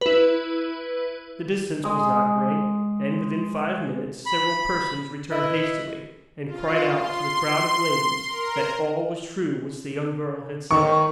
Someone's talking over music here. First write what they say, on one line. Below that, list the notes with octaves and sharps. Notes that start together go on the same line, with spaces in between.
The distance was not great; and within five minutes several persons returned hastily, and cried out to the crowd of ladies that all was true which the young girl had said.
E4 B4
G#3 D#5
B5
E4 B4 D#5
F4
C6
A#4
D#3 C#6